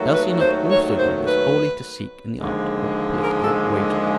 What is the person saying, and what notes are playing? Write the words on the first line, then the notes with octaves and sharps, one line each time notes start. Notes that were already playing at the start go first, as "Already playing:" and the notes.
Does he not also leave us wholly to seek in the art of political wagering?
Already playing: D#2 D#3 F#3 A3
B4
C5
C#5
C5
B4
D#2 D3 F3 G#3
A#4
A4